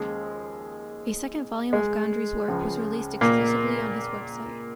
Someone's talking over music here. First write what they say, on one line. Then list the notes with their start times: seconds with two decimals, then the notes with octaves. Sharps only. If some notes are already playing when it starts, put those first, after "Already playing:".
A second volume of Gondry's work was released exclusively on his website.
Already playing: D#2 C#3 F3 G#3
1.73 G#3
2.48 C#2 C#3 F3
3.21 A#2 A#3